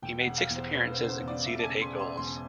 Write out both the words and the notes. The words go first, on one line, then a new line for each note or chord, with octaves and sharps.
He made six appearances and conceded eight goals.
E1 G5
F#5
E1
F5
E2
C5
E1 B4
C5
C#3
C5
E2
D5
E1 E5
A5
G#5
C#3
C6
C#3
C6
E1 C6